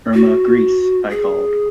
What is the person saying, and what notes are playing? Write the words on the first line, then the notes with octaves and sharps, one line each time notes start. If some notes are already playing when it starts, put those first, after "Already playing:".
'Irma Grese', I called.
F#4
G#4